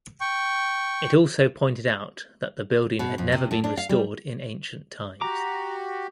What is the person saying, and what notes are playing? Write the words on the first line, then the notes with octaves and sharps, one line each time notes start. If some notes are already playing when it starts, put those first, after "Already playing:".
It also pointed out that the building had never been restored in ancient times.
G5 C#6
B2
F2
C3
A2
D4
F5
G3
F#4 G4 A#5 D6